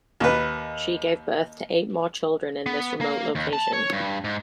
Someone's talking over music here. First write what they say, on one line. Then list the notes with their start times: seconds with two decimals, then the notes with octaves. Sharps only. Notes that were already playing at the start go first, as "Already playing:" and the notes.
She gave birth to eight more children in this remote location.
0.20 D#2 B4
2.66 B3
3.01 A#3
3.35 D#2
3.53 A5
3.73 C#5
3.93 G2
4.24 G#2